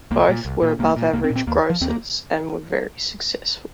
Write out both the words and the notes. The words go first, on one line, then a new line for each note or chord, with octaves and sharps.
Both were above-average grossers and very successful.
C2 A#3
A#2
C2
A#2
C2 A#3
A#2
C2 A#3
C4
A#2
C4
D#2 A#3
F3
D#2 C4
A#3